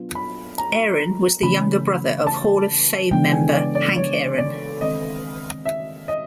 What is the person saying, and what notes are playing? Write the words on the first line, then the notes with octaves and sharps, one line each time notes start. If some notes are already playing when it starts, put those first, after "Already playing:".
Aaron was the younger brother of Hall of Fame member, Hank Aaron.
Already playing: F#3 B3 D4 F4
B5
A#5
C#3 E3 A3 C#4 B5
A5
C#3 E3 G#3 B3 D4 G5
G#5
D5
D5
C#5
D5
D#3 G#3 C4 D#5
E5
D#5